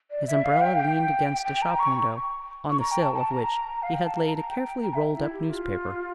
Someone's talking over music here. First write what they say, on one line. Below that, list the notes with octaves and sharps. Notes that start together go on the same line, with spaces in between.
His umbrella leaned against a shop-window, on the sill of which he had laid a carefully rolled-up newspaper.
D5
E5
F5
G5
G5
G5
A#5
C#6
C#6
A#5
G5
A5
A5
A#5
F5
G5
A5
A#5
A#5
A#5
G5
G5
A#5
E5
E4
G4
F4